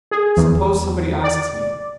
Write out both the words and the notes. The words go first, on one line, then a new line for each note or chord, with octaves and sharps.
"Suppose somebody asks me?"
G#4
E2
D5